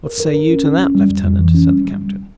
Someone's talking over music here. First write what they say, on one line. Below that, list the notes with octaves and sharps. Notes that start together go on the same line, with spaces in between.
"What say you to that, leftenant?" said the captain.
A#4
A#4
A#4
C#4
C#4
C#4
G3
F2
F2
E3
C#4
G3
G3